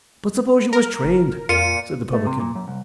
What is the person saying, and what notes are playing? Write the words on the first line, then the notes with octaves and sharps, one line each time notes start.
"But suppose you was trained?" said the publican.
A#4
F#1
F2 A#2 F4 C#7 D#7
A3
C3
A#2
F#2
C2